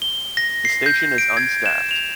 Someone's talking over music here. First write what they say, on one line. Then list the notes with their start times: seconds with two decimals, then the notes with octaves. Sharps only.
The station is unstaffed.
0.02 G7
0.37 A#6
0.65 C7
0.86 G6
1.18 D7
1.37 G#6
1.66 E7
1.91 F7